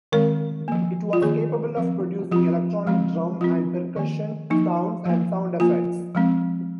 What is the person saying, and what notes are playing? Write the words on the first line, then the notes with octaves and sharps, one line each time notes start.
It was capable of producing electronic drum and percussion sounds and sound effects.
D#3 G#3 C4 A#4
F3 A#3
F4
D#3 A#3 G#4
F3 C4
F3 C4 F4
F3 G#3 C4
F3 C4 F4
D#3 A#3
F3 A#3 D#4
F3 A#3
F3 A#3 F4
F3 G#3 C4